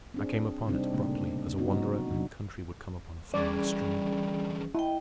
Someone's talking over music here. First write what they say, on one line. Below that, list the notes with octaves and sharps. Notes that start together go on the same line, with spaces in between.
I came upon it abruptly, as a wanderer in the country would come upon a flowing stream.
C4 D4 G#4
C3 G3 C4 D4 D#4
A#2 C#3 A3 A#3 D4
F#3 B3 C#4 D#4 F#4
C3 F#3 D4
D3 E3 G3 C#4 G#4 D5
E4 D#5 G5